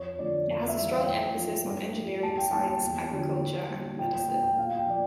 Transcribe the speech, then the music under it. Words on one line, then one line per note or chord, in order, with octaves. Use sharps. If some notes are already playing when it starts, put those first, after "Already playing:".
It has a strong emphasis on engineering, science, agriculture, and medicine.
Already playing: F2 C#5
D3 F3 A3 D5
F2
E5
E3 G3
F5
A2 G5
F3 A3
G2
F3 A3
A2 A5
G5
G3 A#3 A5
G5
E2
D3 F3
A2
G3 A#3
A#2 G5
G5
A3 G5
G5
A#2 F5
G5
F3 A#3 D5